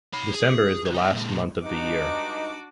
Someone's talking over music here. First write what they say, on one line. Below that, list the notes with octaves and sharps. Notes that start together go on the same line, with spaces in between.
December is the last month of the year.
C#5 B5
G#4
C#4 D#4
A#2 G#3
G2 G#3 D4 D#4 F#4 D6